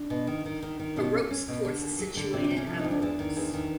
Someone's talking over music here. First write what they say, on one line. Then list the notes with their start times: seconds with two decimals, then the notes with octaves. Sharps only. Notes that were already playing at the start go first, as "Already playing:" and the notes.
A ropes course is situated outdoors.
Already playing: D4
0.10 B2
0.27 D#3
0.46 D#3
0.62 D#3
0.80 D#3
0.96 B2 C#4
1.14 C#4
1.31 C#4
1.48 B2
1.65 D3
1.81 D#2
1.99 F#3
2.17 D3
2.33 C3 D4
2.44 D4
2.50 C3
2.57 C#4
2.67 F3
2.79 D#4
2.84 D2
2.91 D4
3.02 E2 D4
3.19 D#3
3.36 E2
3.53 D#3